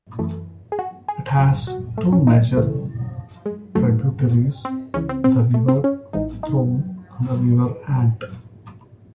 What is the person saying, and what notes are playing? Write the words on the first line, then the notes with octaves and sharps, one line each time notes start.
It has two major tributaries, the River Thurne and the River Ant.
F#2 E3 A3
G#4
F#4
G#4
C#2 C#3 F#3 G#4
F#4
A3
C#4
D#4
C#2 C#3 E3 A3
G#3
F#2 D#3 F#3 A3
C4
C#2 C#3 E3 C#4
C4
C4
A3
C4
C#4
A1 G#2 E3 D#4
D#4